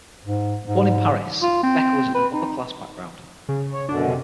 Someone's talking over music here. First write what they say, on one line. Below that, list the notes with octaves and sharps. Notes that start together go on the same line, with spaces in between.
Born in Paris, Becker was of an upper-class background.
G#2
G#2
F4
C4
B4
D#4
C#3
C#5
F#2 B2 D3 D4
C3